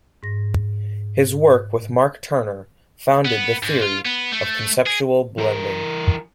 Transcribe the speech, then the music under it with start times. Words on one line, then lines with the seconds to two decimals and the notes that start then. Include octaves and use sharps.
His work with Mark Turner founded the theory of conceptual blending.
0.23 G#2 A#6
3.25 B3
3.63 G#2
3.81 F4
4.06 B3
4.32 A3
4.86 G#4
5.38 E3 A#4